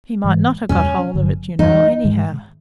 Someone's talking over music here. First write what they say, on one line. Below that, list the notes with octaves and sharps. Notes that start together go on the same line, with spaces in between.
He might not have got hold of it, you know, anyhow.
G#2 E3 G#3
E2 B2 G3 C#4
G1 G2 D3 F#3
F2 C3 E3 G3 D#4
G#2 D#3 G#3